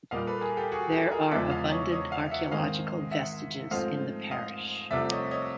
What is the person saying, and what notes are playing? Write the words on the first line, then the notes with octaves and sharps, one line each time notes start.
There are abundant archaeological vestiges in the parish.
A#2 G3 A#3 D#5 F5
A4 B4
G#4 A#4
G4 A4
F#4 G#4
G4 A4
G#4 A#4
E2 C#3 F3 G#3 D5 E5
D#5 F5
C#5 D#5
C#5 D#5
D#5 F5
E5 F#5
G#2 D#3 G#3 C4 D#5 F5
E5 F#5
G#2 F3 A3 C4 D#5 F5
D#5 F5
C2 C3 F3 A3 C4 D5 E5
C#5 D#5
C#5 D#5